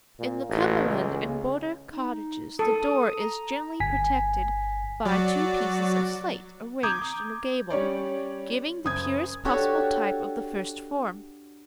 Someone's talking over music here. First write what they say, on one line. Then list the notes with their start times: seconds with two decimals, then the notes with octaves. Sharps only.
In the Cumberland and border cottages the door is generally protected by two pieces of slate arranged in a gable, giving the purest possible type of the first form.
0.19 A#2
0.49 A1
0.87 C#2
1.26 C#3
1.93 D#4
2.59 A4 D#6
3.19 A#5
3.80 G1 G#5 B6
5.05 F#3 F#4 D5
6.83 A#5 D6 D#6 G6 G#6
7.70 G3 C#4 C#5 D5
8.85 F#1 D#6 G#6
9.45 D4 F#4 G4 A4 C#5